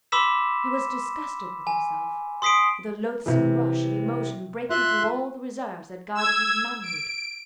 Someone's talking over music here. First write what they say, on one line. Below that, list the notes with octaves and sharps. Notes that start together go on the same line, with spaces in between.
He was disgusted with himself, with the loathsome rush of emotion breaking through all the reserves that guarded his manhood.
B5 C6 D6 E6 B6 E7
G#5
C6 D#6 B6 C7 D7
C3 E3
F4 E5 C6 F#6
E6 G#6
D7